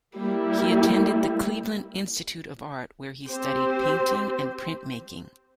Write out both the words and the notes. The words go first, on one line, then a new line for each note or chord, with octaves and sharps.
He attended the Cleveland Institute of Art, where he studied painting and printmaking.
G3 A#3 E4
C4 G4 C5